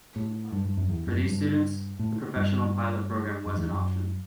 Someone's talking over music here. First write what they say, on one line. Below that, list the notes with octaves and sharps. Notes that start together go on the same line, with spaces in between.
For these students, the Professional Pilot program was an option.
A2
G2
G2
F#2
E2
F#2
G2
A2
G2
F#2
E2
F#2